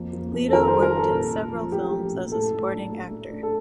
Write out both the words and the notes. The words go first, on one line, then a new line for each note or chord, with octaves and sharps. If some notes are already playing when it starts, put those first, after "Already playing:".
Lito worked in several films as a supporting actor.
Already playing: F2 A#3
A#3
F2
A4
D#3 A#4
C5
G3
A#4
G3
A4
A#2
A#2
F3
A3 G4
F3
A#2
A2 A4
A2
D4
A3
A3
D4
A4